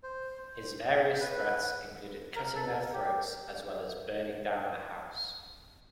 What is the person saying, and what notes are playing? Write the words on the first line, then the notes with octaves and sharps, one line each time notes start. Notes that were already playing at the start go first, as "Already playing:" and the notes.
His various threats included cutting their throats as well as burning down the house.
C5
B4
A#4
A4
A#4
G4